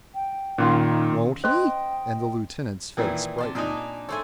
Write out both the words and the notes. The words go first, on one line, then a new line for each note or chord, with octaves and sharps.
"Won't he?" and the lieutenant's face brightened.
G5
A#2 D#3 C#4 F4 C6
D#4
C5 D#5 G5 C6
A#2 D#3 E3
C3 A5 C6
A#2 D4 D#4 D#5 G#5
A3 A4 C5 C#5 G#5